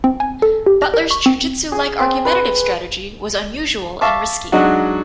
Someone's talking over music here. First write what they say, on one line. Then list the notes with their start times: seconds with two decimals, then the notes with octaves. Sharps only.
Butler's jiu-jitsu-like argumentative strategy was unusual and risky.
0.04 C4
0.20 G#5
0.42 A4
0.66 G4
0.82 A#6
0.94 A#4
1.11 C#6
1.26 C4
1.72 G#4
2.00 C4
2.25 B4
4.01 E5 F5 A5 C#6 D6
4.52 F#3 G#3 D4 D#4 F#4